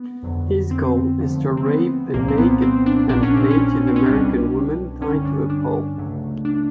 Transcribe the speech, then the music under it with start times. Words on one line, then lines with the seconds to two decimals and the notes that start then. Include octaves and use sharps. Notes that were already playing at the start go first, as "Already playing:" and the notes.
His goal is to rape a naked Native American woman tied to a pole.
Already playing: B3
0.23 F2 D3 F#3
0.71 C4
1.18 D#2 D3 F3 A3
1.57 C4
1.66 B3
2.14 C2 A#2 F3 A#3
2.28 C4
2.38 B3
2.62 C4
2.86 D4
3.09 A#1 A#2 F#3 D4
3.23 C#4
3.37 C4
3.51 C#4
3.87 C4
3.96 C#4
4.06 C2 B2 G3 D4
5.01 G2 D3 G3 C#4
5.25 D4
5.50 D4
5.97 C#2 C#3 F#3 A3
6.45 D4